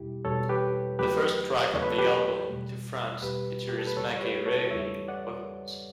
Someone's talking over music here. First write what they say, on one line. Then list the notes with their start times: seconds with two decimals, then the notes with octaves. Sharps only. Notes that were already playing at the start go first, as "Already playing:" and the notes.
The first track of the album, "To France", features Maggie Reilly on vocals.
Already playing: E2 B2 G3 E4 G4
0.25 E2 B2 G3 A4 C#5
0.49 G4 B4
0.99 E2 C#3 F#3 A3 G4 B4
1.73 E2 C#3 F#3 A3 C#5
1.82 B4
1.90 A4
1.98 G4 B4
2.48 E2 B2 G3
3.22 E2 B2 G3 G4 B4
3.69 G4
3.78 A4
3.87 B4
3.96 E2 C#3 G3 A4 C#5
4.17 C#5
4.21 G4 B4
4.46 A4 C#5
4.71 E2 C#3 G3 C#5 E5
5.08 D5 F#5